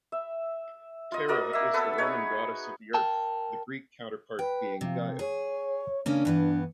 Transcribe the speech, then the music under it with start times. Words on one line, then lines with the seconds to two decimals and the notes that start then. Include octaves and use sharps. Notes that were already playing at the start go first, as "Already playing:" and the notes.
Terra is the Roman goddess of the Earth, the Greek counterpart being Gaia.
0.12 E5
1.12 F4 D#5
1.28 F#4 A#4 D5 D#5
1.53 A#3 E5
1.74 B3 A4 B4
1.98 D#4 G#4 C#5
2.94 A#4 G5 A5
4.39 B4 G5
4.81 C3 F3
5.19 G#4 C#5
6.06 C#3 A#3 C#4 D4
6.25 G2 E3 B3